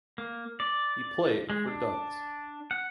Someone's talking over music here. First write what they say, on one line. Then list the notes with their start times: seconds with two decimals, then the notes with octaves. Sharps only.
He played for Duns.
0.18 A#3
0.60 D5
1.50 G#3
1.67 D4
2.71 F#5